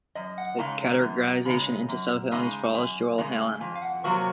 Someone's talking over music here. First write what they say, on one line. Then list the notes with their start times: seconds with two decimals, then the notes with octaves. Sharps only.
The categorization into subfamilies follows Joel Hallan.
0.15 F#2 D#5
0.38 F#5
0.59 C#3 G#3 D#4 A#5
0.81 A#5
1.02 F#2
1.45 C#3 G#3 D#4
1.89 F#2
2.32 C#3 G#3 D#4
2.74 F#2 G#5
3.18 C#3 G#3 D#4
3.61 F2 G#5
3.76 F5
3.82 F#5
4.04 C3 F#3 A#3 C#6